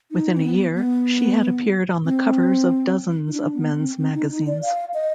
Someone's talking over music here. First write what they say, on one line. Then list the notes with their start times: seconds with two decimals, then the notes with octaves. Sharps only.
Within a year, she had appeared on the covers of dozens of men's magazines.
0.11 D#4
0.37 C4
0.43 B3
0.75 B3
2.05 C4
3.28 D#4
3.33 D4
3.55 B3
3.77 C4
3.98 C4
4.14 D#4
4.30 D#4
4.47 D5
4.62 F5
4.94 D#5